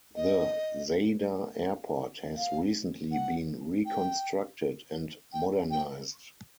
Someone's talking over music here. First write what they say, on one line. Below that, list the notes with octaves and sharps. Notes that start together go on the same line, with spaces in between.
The Zadar Airport has recently been reconstructed and modernised.
D#5
F5
F#5
G5
G5
G5